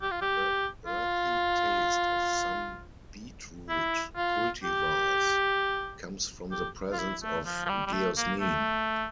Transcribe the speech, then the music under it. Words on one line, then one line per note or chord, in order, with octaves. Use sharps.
The "earthy" taste of some beetroot cultivars comes from the presence of geosmin.
G4
F4
G4
F4
E4
F4
G4
G4
F4
E4
A3
F3
F3
G3
G3
A3
A#3
A3